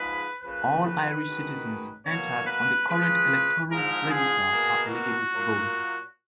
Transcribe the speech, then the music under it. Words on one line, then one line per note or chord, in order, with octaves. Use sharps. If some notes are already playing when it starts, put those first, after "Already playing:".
All Irish citizens entered on the current electoral register are eligible to vote.
Already playing: G#2 F3 G#3 B4
C#3 F3 A#3 B4
F#2 D#3 G#3
B2 A#3 C#5
B4
C#3 F3 G#3 B4
G#2 F3 G#3 A#4
G#4
B2 A#3
F#4
A#2 F#3 A#3